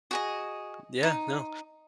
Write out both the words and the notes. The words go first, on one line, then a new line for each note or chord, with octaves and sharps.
Yeah. No.
F#4 G#4 D#5
D#4